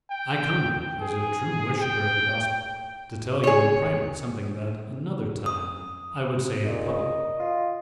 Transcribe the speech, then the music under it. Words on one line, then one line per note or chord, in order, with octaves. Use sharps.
"I come, as a true worshipper of the Gospel, to tell you in private something that, another time, I would say in public."
G5
G#4
G5
G#4 C#5
D#6
A#2 D#5
F4